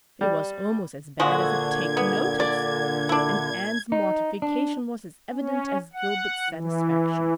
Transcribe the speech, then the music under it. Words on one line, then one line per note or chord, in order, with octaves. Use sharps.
It was almost as bad as a take-notice and Anne's mortification was as evident as Gilbert's satisfaction.
G3
A#2 D3 F3 G#3 F#4 G#6
B3
D5
D4 E4
D#4
D4
C#4
F#5
E3